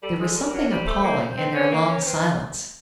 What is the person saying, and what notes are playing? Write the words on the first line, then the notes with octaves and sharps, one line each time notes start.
There was something appalling in their long silence.
G3 A4
G#3
G3 A#4
F#3
G3 C5
A3
A#3
C4 B4
C#4 C5
B4
A#3
A#4
C#4
C5
C4 B4